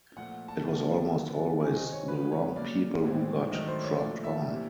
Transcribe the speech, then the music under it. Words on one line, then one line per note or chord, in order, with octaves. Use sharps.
It was almost always the wrong people who got dropped on.
A#2 F3 A3 F#5
A5
A#2 G3 A#3 C#4 A5
D3 F#3 B3
D#3 G3 C4 G#5
D#5
C#5
C#3 F3 G#3 B4
C#5
C#3 F#3 A#3 D5
A2 E3 G#3 C4
D#3 F#3 A3 D4 D#5
C5
C#5
A#2 F3 A3 D4 D5
E5
C3 E3 G3 A#3 D4